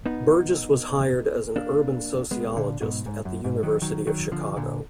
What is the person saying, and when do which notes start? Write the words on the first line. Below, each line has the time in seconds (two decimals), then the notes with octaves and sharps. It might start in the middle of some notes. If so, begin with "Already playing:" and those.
Burgess was hired as an urban sociologist at the University of Chicago.
0.06 B3 D#4
1.56 A#3 D4
2.31 G#3 B3
2.56 A#2 D3
2.81 G#2 B2
3.06 G#2
3.25 F#2
3.44 G#2
3.63 D#3 F#3
3.82 D#3 F#3
4.07 D#3 F#3
4.32 D3 F3
4.57 A#2 D3